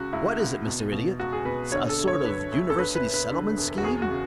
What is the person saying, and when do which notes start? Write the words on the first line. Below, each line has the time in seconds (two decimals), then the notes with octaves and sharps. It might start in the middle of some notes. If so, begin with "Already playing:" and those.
"What is it, Mr. Idiot--a sort of University Settlement Scheme?"
Already playing: C#2 C#3 F#4
0.13 C#2 E4
0.40 C#2
0.66 B2
0.92 B2
1.20 C#2 F#4
1.33 G#4
1.45 B2 B4
1.72 D3 C#5
1.89 A4
1.99 D2
2.08 C#5
2.25 D3 B4
2.52 D2
2.70 A4
2.77 D3 B4
2.95 B4
3.05 E1
3.14 B4
3.31 D3
3.57 E1
3.78 F#4
3.83 E2 G#4
4.02 F#4
4.10 C#3